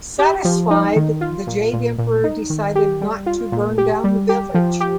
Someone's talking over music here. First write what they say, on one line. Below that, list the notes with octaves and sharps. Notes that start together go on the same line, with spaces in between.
Satisfied, the Jade Emperor decided not to burn down the village.
G4
F3
D#4
D#3
F4
A#2
A#2
A#2
D#4
D#3
G4
G3
F4
A#2
G4
G3
G4
F3
G4